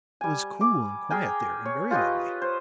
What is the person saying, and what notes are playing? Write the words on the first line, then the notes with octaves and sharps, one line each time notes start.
It was cool and quiet there, and very lovely.
G3 G#5
D6
G#4 A#4 G5 G#5
C#5
F4 G4 B4 D#5
C5